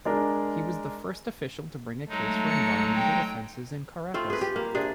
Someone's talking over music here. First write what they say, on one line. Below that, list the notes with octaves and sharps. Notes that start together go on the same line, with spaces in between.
He was the first official to bring a case for environmental offenses in Caracas.
G#3 D4 A#4
F#3 G#3 A3 D#4
C#7
G5
A3 C4 F4
G#4 B4
G4
A#3
C3 D4 G#4